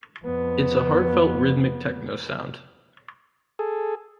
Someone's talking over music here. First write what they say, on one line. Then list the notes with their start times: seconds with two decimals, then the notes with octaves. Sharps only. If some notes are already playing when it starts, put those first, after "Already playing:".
It's a heart-felt rhythmic techno sound.
0.25 F2 B3
3.59 G#4 A4